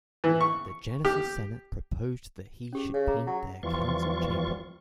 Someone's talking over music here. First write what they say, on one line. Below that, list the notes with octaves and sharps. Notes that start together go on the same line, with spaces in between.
The Genisis senate proposed that he should paint their council chamber.
E3
C#6
G4
C#4 G4 G#4
C#3
G#4 A#5
F#3
E2 E3 F3 G3 F4 C#6